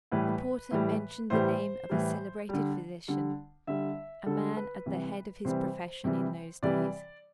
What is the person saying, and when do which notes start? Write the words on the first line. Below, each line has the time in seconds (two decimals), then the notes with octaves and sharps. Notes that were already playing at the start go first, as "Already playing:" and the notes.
The porter mentioned the name of a celebrated physician--a man at the head of his profession in those days.
0.12 A2 E3 G3 B4
0.71 A2 E3 G3
1.30 A2 E3 G3 C5
1.90 A2 E3 G3
2.49 D3 G3
3.08 D3 G3
3.67 D3 G3 E5
4.26 D3 G3 A4
4.57 B4
4.86 C3 E3 G3
5.45 C3 E3 G3 C5
6.04 C3 E3 G3
6.63 C3 E3 G3 D5